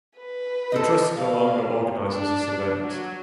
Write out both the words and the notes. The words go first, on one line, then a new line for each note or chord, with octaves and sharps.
The Trust no longer organizes this event.
B4
A4 C5 D#5
D5 F5
D4
F#3